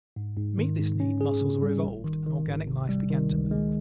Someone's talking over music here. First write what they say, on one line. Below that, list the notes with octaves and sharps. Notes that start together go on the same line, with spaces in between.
To meet this need muscles were evolved, and organic life began to move.
G#2
G#2
D#3
G#2
C#4
G#4
C#3
G3
G#1
D#3
D#3
G#1
C3
G3
D#3
C#2
G#3